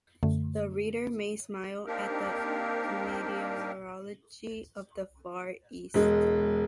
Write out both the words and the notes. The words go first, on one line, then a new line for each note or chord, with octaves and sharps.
The reader may smile at the meteorology of the Far East.
F#2 D3 A3
A#3 C4 D4 D#4 G4 A#4
E1 G#3